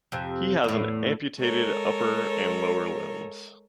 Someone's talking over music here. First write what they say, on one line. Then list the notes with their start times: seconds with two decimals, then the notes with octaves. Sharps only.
He has an amputated upper and lower limbs.
0.12 F2 C3
0.64 E2 A2
1.39 G#3 A4 A#4 C#5